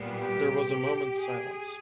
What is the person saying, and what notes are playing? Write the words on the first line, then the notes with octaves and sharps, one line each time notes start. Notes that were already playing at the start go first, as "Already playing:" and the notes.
There was a moment’s silence.
Already playing: A#2 G3 B3
G4
G#4